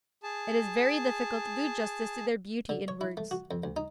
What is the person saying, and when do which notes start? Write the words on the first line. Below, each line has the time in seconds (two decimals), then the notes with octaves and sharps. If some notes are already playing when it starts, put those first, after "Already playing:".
It is very difficult to do justice to their beauty in words.
0.23 G#4 A5
2.69 D3
2.88 C#5
3.01 E4
3.17 A3
3.31 F#4
3.51 F2
3.64 D2
3.76 D#4